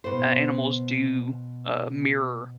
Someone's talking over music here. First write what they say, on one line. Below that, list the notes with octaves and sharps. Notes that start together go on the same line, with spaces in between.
a animals do, uh, mirror,
B2 C5